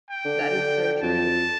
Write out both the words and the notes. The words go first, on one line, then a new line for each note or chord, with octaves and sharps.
That is so true.
G5
D3
D3
D3
F2 A5